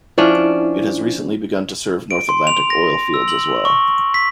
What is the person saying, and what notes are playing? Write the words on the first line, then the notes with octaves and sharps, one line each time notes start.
It has recently begun to serve North Atlantic oil fields as well.
F3 C#4 D4 E4
D7
C6
F7
A#6
E6
F#7
C#6
B6